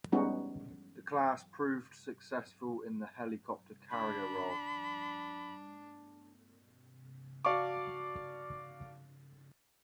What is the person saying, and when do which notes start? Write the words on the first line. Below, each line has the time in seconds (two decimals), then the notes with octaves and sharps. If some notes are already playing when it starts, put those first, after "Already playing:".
The class proved successful in the helicopter carrier role.
0.12 G3 G#3 B3 C#4 D#4 F#4
3.90 D4 B5
7.45 F#4 D5 F5 A5 C#6 D6